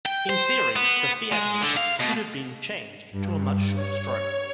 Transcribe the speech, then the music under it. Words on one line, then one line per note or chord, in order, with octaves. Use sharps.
In theory, the Fiat engine could have been changed to a much shorter stroke.
G5
C5
B3
G#3
D3
F5
B2
G2
C#5